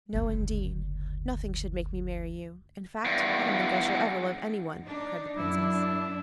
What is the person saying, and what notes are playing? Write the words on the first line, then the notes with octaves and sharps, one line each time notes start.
'No, indeed; nothing should make me marry you; in fact, I don't think I shall ever love anyone,' cried the Princess.
F#1 D2
E2 G2
D4 D#4
F#2 D4 E4